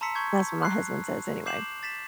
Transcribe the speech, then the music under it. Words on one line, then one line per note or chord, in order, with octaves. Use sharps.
that's what my husband says anyway-
A5 A#5 C6 E6 B6 C#7
C6 C#6 G6 G#6
F#6 C7
D6 G6 C7 E7 F#7
A6 B6 E7